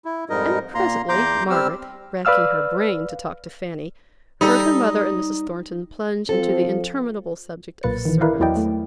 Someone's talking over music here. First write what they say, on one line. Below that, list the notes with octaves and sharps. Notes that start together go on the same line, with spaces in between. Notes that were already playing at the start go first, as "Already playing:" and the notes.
And presently, Margaret, racking her brain to talk to Fanny, heard her mother and Mrs. Thornton plunge into the interminable subject of servants.
E4
F2 G#2 G3 D#4 A#4 D#5
A#2 A#3 A#5 C6
E2 A#5 C6 D6 G6
G3 C4 G4 E6 F6
B4 D5 F5 E6 F6
G3 D#4 A4
F3 C4 A4
B1 A#2 A#3 B4 A6 C#7
D#3 E3
E4 A#4 B4 D5 F5
E2 F#3 E4 D5 D#5 G5
A3